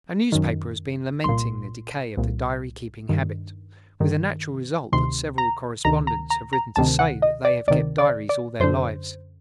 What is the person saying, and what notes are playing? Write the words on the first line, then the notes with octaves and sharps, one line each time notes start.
A newspaper has been lamenting the decay of the diary-keeping habit, with the natural result that several correspondents have written to say that they have kept diaries all their lives.
F#2 D#3
C2 A#2 C6
C2 A#2
G2 D#3
G2 D#3
D2 C3 D#3 C6
A#5
D2 C3 D#3 A#5
A#5
A#5
A#5
D2 C3 D#3 A5
F#5
D#5
D5
D2 C3 D#3 D5
D5
D5
F#2 D3 C5